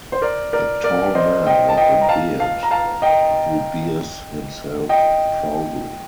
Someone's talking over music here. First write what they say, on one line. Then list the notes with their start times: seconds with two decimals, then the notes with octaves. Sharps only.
A tall man with a beard, who bears himself proudly.
0.12 C5
0.22 A#4 D5
0.53 A#4 D5
0.84 A#4 D5
1.15 C5 D#5
1.46 D#5 G5
1.69 A5
1.77 D#5 G5
2.01 A#5
2.09 F5 A5
2.40 F5 A5
2.63 A#5
2.71 F5 A5
3.02 D#5 G5
4.89 D#5 G5